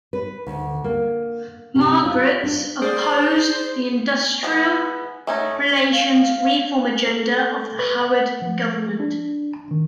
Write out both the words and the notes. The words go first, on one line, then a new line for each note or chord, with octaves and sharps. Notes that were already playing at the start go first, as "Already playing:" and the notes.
Margetts opposed the industrial relations reform agenda of the Howard Government.
B4
D2
A#3
C3
F4
D4
G#4 C5 D5
G#3 B3
A3 C#4 D#4
F5
A4
B4
F#5
F3
D4
D#3